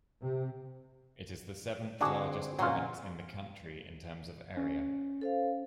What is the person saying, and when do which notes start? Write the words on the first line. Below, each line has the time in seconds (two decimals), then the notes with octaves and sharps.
It is the seventh largest province in the country in terms of area.
0.21 C3
2.01 D3 G#3 C4 D4 F#4 G#4
2.59 F#2 A#2 F#3 F4 C6
4.57 C#4
5.22 A4 C5 F5